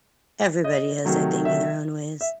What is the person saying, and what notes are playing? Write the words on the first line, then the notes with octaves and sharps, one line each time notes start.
Everybody has, I think, in their own ways.
D#5
C3 D#3 F#3 A3
E5
E5